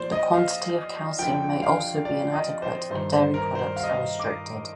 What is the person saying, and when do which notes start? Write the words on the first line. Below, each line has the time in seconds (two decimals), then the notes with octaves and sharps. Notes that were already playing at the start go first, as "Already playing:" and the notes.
The quantity of calcium may also be inadequate if dairy products are restricted.
Already playing: A#2 F3 C5 D5
0.12 D#5
0.33 F5
1.19 F2 D3 F3 G5
1.62 F5
2.05 D5
2.33 D#5
2.62 C5
2.90 G2 D#3 C5
3.12 C5
3.34 A#4
3.55 C5
3.76 F5
3.83 D#5
3.91 F5
4.19 D6